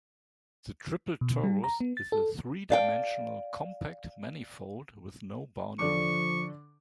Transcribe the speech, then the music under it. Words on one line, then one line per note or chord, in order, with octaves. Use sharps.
The triple torus is a three-dimensional compact manifold with no boundary.
B2
G3
A#5
B3
A6
A4
D5 F5 G5
D3 F3 D4 C#6 D6